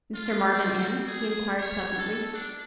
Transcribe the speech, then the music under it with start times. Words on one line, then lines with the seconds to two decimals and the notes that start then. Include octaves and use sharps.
"Mr. Marvin in?" he inquired, pleasantly.
0.14 F4
0.54 C4
1.07 G#4
1.58 C#5
1.99 A4
2.34 D4